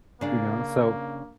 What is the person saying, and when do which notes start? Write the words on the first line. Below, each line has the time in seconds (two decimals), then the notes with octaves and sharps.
You know? So
0.21 C#3 A#3 D4